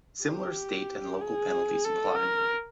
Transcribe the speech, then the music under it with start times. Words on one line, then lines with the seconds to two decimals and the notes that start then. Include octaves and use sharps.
Similar state and local penalties apply.
0.24 G4
1.21 G#4
1.85 A4
2.16 A#4